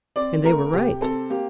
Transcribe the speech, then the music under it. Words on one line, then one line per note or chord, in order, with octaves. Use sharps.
And they were right.
C4 D5
A3 A#4
C3 G4
C4 A4
A#3 G4